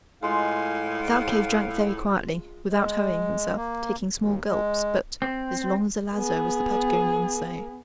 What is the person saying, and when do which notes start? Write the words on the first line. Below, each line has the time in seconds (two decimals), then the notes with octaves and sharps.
Thalcave drank very quietly, without hurrying himself, taking small gulps, but "as long as a lazo," as the Patagonians say.
0.23 A2 G#3 F4 F5
2.70 G#3
3.56 A#3
4.18 D#2
4.48 G#3
5.22 C4
6.15 B3 G#4